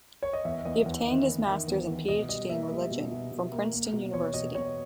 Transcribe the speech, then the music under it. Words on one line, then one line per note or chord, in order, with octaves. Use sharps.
He obtained his master's and Ph.D in religion, from Princeton University.
C#5
D#5
E2 E5
E2 D#5
E2
D#3
E2
D#3
E2
E2
B2 D#5
G3 D#5
A#3 E5
G3
B2
B2
B2
A#3
A#3
B2
E2 C#5
B2 D#5
B2 C#5